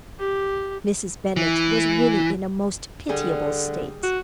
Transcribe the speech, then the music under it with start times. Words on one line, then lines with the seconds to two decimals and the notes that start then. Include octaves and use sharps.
Mrs. Bennet was really in a most pitiable state.
0.20 G4
1.36 E3
3.09 D3 G3 G#4
4.03 F#4